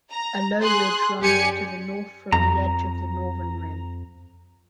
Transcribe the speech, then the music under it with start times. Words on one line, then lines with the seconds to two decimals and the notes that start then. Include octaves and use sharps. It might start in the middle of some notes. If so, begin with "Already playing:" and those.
A low ridge runs to the north from the edge of the northern rim.
0.11 A#5
0.62 G#4 C6 F#6
1.20 F#2 G4 D5 G#5 C#7
2.32 F2 A#5